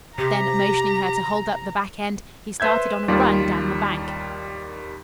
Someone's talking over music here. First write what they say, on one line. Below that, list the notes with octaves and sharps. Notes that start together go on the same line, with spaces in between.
Then motioning her to hold up the back end, he started on a run down the bank.
C3 G4 A#5
B4 C5 E5 G6 G#6
D#2 D#3 G3 F4 D5